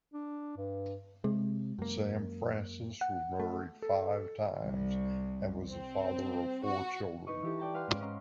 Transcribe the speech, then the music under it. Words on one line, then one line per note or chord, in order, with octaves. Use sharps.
Sam Francis was married five times, and was the father of four children.
D4
G2
C3 G#3
F#2 A#3
F#5
A3
A4
C2
C4
F#4
D#4 B4 D#5 C#6
E3 G4 A4
D5 G5 A5 A#5
B4 F5 F#5 C6
G#2 C#4 D7
C#4 D#5 A#5 C6